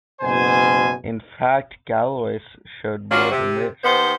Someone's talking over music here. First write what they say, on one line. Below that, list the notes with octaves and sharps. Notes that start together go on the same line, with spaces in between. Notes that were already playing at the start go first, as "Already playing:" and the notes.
In fact, Galois showed more than this.
F#1 B2 C5 G#5
A#3 C#4 D4 F4 F#4
C3
D#2 D#3 B3 C5